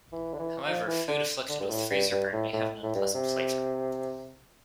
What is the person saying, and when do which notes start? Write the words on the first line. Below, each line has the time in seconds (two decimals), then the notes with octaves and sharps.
However, food afflicted with freezer burn may have an unpleasant flavour.
0.12 E3
0.34 D3
0.39 E3
0.68 F3
0.87 E3
1.08 D3
1.49 D3
1.60 G2
1.70 A2
1.90 G2
2.11 G2
2.33 A2
2.53 A2
2.83 A2
2.95 G2
3.15 C3